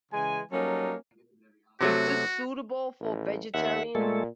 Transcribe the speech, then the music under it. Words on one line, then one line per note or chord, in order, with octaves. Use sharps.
Is this suitable for vegetarians?
C#3 E3 G#3 G#5
F#3 G3 A#3 C#4 D#4 A4
C3 F#3 A3 F#4
A1
D#2 E5 F#5
A#2 G#3 A3 A4